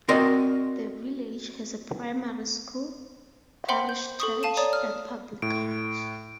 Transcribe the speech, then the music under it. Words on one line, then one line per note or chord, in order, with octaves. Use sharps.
The village has a primary school, parish church and public house.
C4 F#4 A#4 D5 D#5 C6
C5 E5 F#5 G5 B5 C6
G6
A4 C#6 D#6
F5 A5 D#7 E7
C#5 D5 A#5 D#6
F6
A2 D7